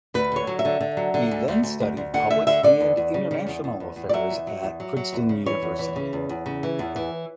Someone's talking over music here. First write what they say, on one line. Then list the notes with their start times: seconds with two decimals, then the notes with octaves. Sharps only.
He then studied public and international affairs at Princeton University.
0.14 D2 B4
0.32 D3 C#5
0.47 F#3
0.59 E5
0.65 D3
0.81 D3
0.97 F#3
1.14 D3
1.31 D2
1.48 D2
1.63 D2
1.80 D2
1.97 D2
2.14 D3 F#5
2.30 D2 E5
2.47 D3 E5
2.63 D3 D5
2.80 E2
2.97 E2
3.14 C#3
3.31 C#3
3.47 E2
3.64 E2
3.80 E2
3.96 E2
4.09 D5
4.13 F#3 E5
4.30 E2
4.47 F#3
4.63 E2
4.80 F#3
4.97 F#3
5.13 E2
5.29 C#3
5.46 E3 C#5
5.63 E2
5.79 E3
5.96 C#3
6.13 E2
6.29 E2
6.46 C#3
6.63 E3
6.79 E2
6.96 E3